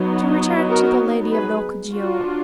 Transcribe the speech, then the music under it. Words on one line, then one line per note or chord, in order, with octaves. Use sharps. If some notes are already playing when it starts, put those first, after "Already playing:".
To return to the Lady of Rokjio.
Already playing: F#3 B3 D#4
F#4 A#4
G#4 B4
F#3 D4 F4 F#4